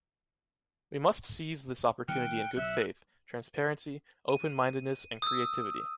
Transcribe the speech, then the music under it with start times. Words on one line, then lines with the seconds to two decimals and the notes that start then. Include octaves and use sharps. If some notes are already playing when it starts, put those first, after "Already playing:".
We must seize this opportunity in good faith, transparency, open-mindedness and creativity.
2.08 D#3 G3 B3 G5 F6 F#6 C#7
2.57 B1 F#3 E5 E6 F#6
4.30 D#7
5.22 D#6 E6